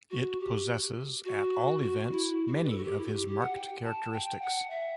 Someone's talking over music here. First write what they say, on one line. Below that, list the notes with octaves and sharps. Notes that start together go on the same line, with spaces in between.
It possesses, at all events, many of his marked characteristics.
F#4
G4
F#4
F#4
E4
F#4
G4
B4
A4
F#4
G4
E4
F#4
G4
G4
F#5
G5
A5
G5
F#5
E5